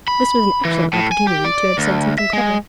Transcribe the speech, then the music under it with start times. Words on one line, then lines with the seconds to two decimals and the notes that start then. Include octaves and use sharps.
This was an excellent opportunity to have said something clever.
0.08 B5
0.65 E3
0.93 A2
1.12 G#5
1.27 G4
1.45 D5
1.78 D2
2.18 E5
2.33 G#3